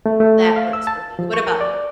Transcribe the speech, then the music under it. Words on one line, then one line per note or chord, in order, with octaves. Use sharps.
that works for me, what about you?
A3
A3
F5
E6
A5
F3
C#6
A#4
D5